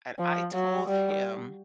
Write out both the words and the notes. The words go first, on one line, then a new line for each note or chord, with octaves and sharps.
And I told him
F3
F#3
G3